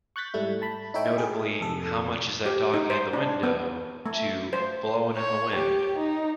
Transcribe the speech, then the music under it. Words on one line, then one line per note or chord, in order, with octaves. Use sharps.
Notably "How much is that Doggy in the Window", to "Blowin' in the Wind".
C#6 F#6 G6 A6 B6
G#2 G3 A3 E4
A5 B5
D#4 E4 A4 C#5 E5 G5
G#4
F2 C3 A4
G4
D#4
C5
D4
B3
A3
C5
C#5
G4
D#4